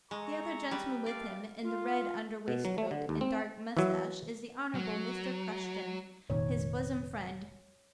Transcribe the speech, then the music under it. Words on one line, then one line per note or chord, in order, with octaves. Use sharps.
The other gentleman with him, in the red under-waistcoat and dark moustache, is the Honourable Mr. Crushton, his bosom friend.
G#3 A4 A#5 C#6
G3 B4
A3 D5 F5
F4
B2
F#3
A3
D3
D#2
C4
E3 F#3
F#3
F1 A#2 D#3 C#5